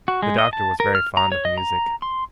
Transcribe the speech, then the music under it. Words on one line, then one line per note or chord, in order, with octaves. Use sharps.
The Doctor was very fond of music.
F#4
G#3
D#5
A5
A#4
F6
A#5
C#5
D#5
A#5
C6